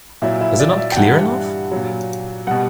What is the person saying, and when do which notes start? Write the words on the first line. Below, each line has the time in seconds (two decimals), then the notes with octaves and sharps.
Is it not clear enough?
0.22 A#2 F#3 E4
0.41 E4
0.59 D5
0.78 E5
0.92 G5
0.97 G2 E3 G3 F#5
1.72 A#2 F#3
2.47 B2 G3 F#5